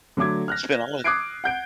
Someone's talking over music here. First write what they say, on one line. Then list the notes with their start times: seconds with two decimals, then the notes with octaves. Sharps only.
…spent all of it
0.17 D3 F#3 A3 D6 G#6
0.48 F6 F#6 A#6
1.04 D6 D#6 F#6 G#6 C7 D7
1.44 F#5 G6 D7